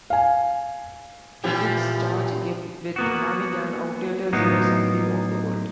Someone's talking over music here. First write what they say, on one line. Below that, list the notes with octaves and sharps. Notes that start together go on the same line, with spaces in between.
Critics charge him with having an outdated zero-sum view of the world.
F5 G#5
A#2 E3 F3 G4
A#3 B3 F#4
A2 F#3 A#3 B3 D#4